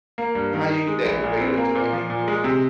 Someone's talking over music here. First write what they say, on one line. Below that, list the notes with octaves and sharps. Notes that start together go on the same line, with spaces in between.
how do you get that convey that to that young person?
A#3
G2
D#3
D#4
G#3
A#1
A#2
C4
A#3
A#2
F3
A#2
G#3
C3